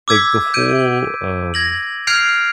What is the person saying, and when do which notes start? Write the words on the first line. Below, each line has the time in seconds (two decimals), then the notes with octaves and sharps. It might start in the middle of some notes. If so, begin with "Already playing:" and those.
like, the whole, um
0.08 D6 E6 G#6 B6
0.54 G6 D7 D#7
1.54 G#6 A#6 F#7
2.07 F6 G6 G#6 C7 D7 F7